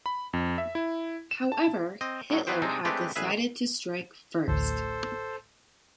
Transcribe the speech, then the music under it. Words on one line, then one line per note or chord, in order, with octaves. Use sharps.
However, Hitler had decided to strike first.
B5
F2
E5
E4
E7
A5
C4 D#5
A2 F#3
E3 F#3 B3 B4 C5 G5
C3 G#3 C4 D4 D#4
G#3 A3 C4 D4 G4 B4
A1 G#4 B4 E5
A1 D2 A2 A4 C5